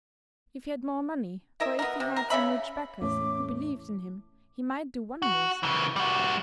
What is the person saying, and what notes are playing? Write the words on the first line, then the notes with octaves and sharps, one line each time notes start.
If he had more money, or if he had some rich backers who believed in him, he might do wonders.'
E4 A#4 D#5 E5
B3 A#4
C3
A#4
C#3 C#4 E5 B5
E2 A2 A3 C#4 C#5 D6
F#4
C#3 E3
G3 F#4